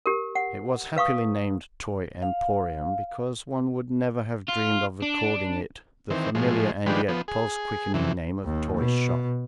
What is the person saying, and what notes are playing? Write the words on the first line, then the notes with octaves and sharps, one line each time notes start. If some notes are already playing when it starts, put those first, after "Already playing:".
It was happily named Toy Emporium, because one would never have dreamed of according it the familiar and yet pulse-quickening name of toyshop.
G4 A#4
F#5
B4 F5 C#6 D#6
F5
F4
D4
D#3 E3 C4
A2 F3 G#3
D#3 F3 G#3 D4 G4 B4
F3 B3
G#4
E2 C3 E3
D#2
B2